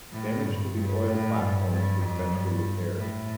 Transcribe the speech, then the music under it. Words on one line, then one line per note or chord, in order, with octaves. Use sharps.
Damage to the oil platforms was eventually repaired.
A2
G2
G2
A2
G2
G2
F2
G2
A2